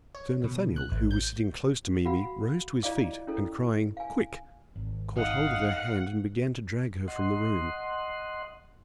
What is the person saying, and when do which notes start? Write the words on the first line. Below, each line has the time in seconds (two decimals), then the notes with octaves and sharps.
Sir Nathaniel, who was sitting close to Mimi, rose to his feet, and, crying, "Quick!" caught hold of her hand and began to drag her from the room.
0.15 C#5
0.44 B2
0.76 F#6
0.92 A1
1.11 G6
2.05 F#4 F5 F#5 B5
2.83 E4 F4 D5 D#5 F5 D6
3.27 C#4 E4 A4
3.97 F5 G#5
4.76 G#1
5.17 D#4 F5 F#5
7.08 D#5 F#5 C6